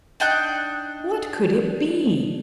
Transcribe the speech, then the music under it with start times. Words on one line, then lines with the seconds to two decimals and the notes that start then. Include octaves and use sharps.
What could it be?
0.20 D4 D#4 G5 F#6